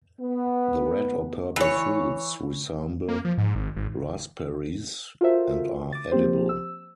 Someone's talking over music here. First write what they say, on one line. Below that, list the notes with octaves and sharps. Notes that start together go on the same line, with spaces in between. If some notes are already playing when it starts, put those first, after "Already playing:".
The red or purple fruits resemble raspberries and are edible.
B3
E3 C#5
A#3
F3
G#2
G#1
G#1
F4 F#4 A4 A#4 C5 E5
D6 A6
F3 A#3 C4 G4 C5
E6